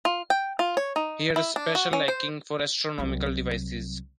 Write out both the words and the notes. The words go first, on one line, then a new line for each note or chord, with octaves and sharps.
He had a special liking for astronomical devices.
F4
G5
F4
C#5
D#4
E4
D4
F#4
C#4
C5
C2 F#3